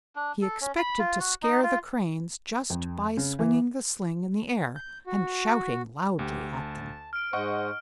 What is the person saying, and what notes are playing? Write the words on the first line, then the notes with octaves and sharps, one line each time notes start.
He expected to scare the Cranes just by swinging the sling in the air, and shouting loudly at them.
D4
A4
C#4
B5
F4
F#4
D#4
F4
F2
C#3
E3
G6
F#4
D2 G4
A5
F6 D7
G#2 C5 D#5 F#5 C#6